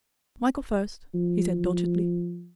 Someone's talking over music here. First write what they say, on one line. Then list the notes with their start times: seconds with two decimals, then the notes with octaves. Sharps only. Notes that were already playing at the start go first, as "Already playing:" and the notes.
"Michael first," he said doggedly.
1.14 F3